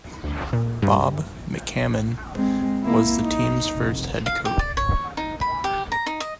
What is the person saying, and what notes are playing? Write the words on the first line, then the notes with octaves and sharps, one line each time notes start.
Bob McCammon was the team's first head coach.
D2
A#2
G2
G#3 C4
A#3 E4
D#4
F1
F5
G4
D5
C#5
D#4
B5
G4
A#5
D#4
D#5